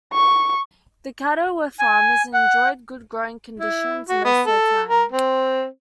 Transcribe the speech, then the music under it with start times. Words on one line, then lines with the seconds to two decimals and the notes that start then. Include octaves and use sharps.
The Caddo were farmers and enjoyed good growing conditions most of the time.
0.13 C#6
1.79 G#5
2.34 F#5
3.60 E4
4.09 F#4
4.25 B3
4.46 A4
4.88 A#4
5.12 C4